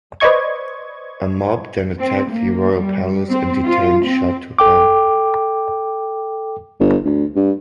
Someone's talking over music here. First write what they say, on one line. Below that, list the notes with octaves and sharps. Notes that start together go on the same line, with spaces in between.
A mob then attacked the royal palace and detained Shah Turkan.
B4 C5 D5 D#5 C#6 G#6
C4
A#3
G3
C4
F4
C4
A4 G5 D6
G1
D2
G2